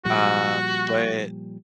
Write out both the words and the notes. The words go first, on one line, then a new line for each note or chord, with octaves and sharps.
uh, but
A#2 F3 G3 F#4